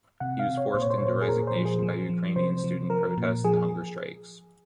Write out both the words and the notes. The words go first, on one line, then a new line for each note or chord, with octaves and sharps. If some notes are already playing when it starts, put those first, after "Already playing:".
He was forced into resignation by Ukrainian student protests and hunger strikes.
C3 F#5
F5
C3
C#5
A#2 C5
C#5
C5
C#5
A#2 C5
G#4
A#2 A#4
C5
F3
G#4
F3
F3
C3 C5
F3
F3 A#4
A#2
F3 G#4